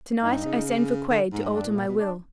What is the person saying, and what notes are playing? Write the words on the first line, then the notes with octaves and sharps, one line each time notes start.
To-night I send for Quaid to alter my will.
G2 D#4
C#3
D3
G#2
G2
G#2
G2 D4
A2
A#2
B2
D4